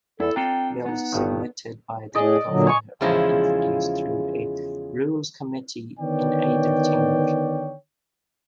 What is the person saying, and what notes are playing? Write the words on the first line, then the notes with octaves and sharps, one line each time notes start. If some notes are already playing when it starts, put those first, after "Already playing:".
Bills submitted by the governor are introduced through a Rules Committee in either chamber.
E2 E4 A4
C4 D4 F4 A4 G5 A#5
B3 D#4 F#5
G1 G2 D#3
A2 G#4 D5 D#5
A#2 D3 F#3
C#5 G#5 C#6
E2 C#3 F3 G#3 E4 A#5
D3 D#3 B3 C#5 D5 G5